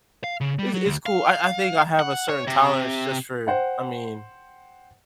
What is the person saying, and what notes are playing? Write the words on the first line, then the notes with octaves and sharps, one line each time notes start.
is is cool. I I think I have a certain tolerance just for I mean
F5
C#3
G3
F#3
D2
F5
F#5
C#5
C3
C5 F#5 G5